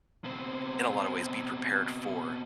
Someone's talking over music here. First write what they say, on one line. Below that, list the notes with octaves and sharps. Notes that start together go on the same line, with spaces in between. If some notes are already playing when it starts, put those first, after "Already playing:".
in a lot of ways, be prepared for
B2 C4